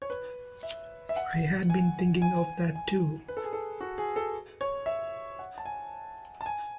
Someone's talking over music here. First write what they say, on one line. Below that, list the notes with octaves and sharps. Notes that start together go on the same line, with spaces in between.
I had been thinking of that too.
C#5
B4
E5
E5
F#5
G#5
G#5
G#5
B4
A4
G#4
A4
F#4
G#4
A4
C#5
E5
F#5
A5
G#5
A5
G#5